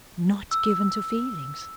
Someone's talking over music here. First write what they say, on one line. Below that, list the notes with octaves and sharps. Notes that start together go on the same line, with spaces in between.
Not given to feelings!
E6